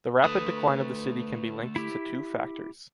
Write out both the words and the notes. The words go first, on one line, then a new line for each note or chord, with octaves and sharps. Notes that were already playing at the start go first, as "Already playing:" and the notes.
The rapid decline of the city can be linked to two factors.
D3 A3 B4 D#6
E4 G4